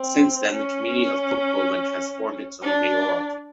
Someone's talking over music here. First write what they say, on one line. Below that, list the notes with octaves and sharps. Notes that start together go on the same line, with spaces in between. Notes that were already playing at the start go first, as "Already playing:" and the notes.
Since then, the community of Kückhoven has formed its own Mayoralty.
Already playing: C4
C#4
D4